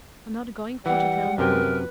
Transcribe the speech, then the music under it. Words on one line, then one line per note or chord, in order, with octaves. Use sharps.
I'm not going for to tell more.
E3 G3 F#5
F#2 C3 A#4 B4 G5